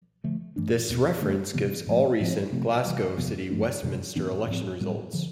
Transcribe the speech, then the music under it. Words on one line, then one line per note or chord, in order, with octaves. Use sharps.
This reference gives all recent Glasgow City Westminster election results.
D3 F3 A3
G2 E3 A3 D4
E2 B2 B3
D3 A3 D4
C3 E3 B3
A2 F3 A3
A2 F3 C4
C3 F3 A3 C4
C3 E3 G3
E2 C3 F3 B3
G2 F3 A3 D4
F2 C3 E3 G3
A2 E3 B3 D4
A2 F3 C4
A2 G3 B3
D3 F3